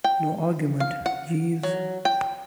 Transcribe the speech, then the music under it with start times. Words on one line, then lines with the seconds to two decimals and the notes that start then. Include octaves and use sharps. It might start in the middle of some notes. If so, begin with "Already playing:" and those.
No argument, Jeeves.
0.04 G5
0.80 F5
1.06 F#5
1.63 F#3
2.05 G5